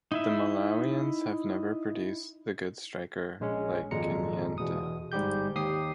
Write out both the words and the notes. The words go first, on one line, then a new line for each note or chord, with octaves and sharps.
The Malawians have never produce the good striker like Kanyenda.
D#4 E4 E5
A#1 G#3 C#4
G#1 F2 A#2 G#3 A#5 C#7
E2 B2 D#6
G1 G#2 G3 G4 G6
D#2 G4 D#6 C7